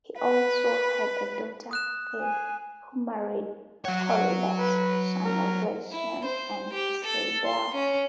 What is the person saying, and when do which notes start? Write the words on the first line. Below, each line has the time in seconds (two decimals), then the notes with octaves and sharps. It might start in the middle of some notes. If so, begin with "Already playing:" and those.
He also had a daughter Thebe, who married Corybas, son of Iasion and Cybele.
0.19 B4
1.71 D#6 F#6 E7
2.19 G#5
3.85 F#3 C#5 F#5
4.59 B4
5.25 A#4
5.92 E4
6.25 C5
6.74 G4
7.05 A4
7.45 C6
7.75 C#4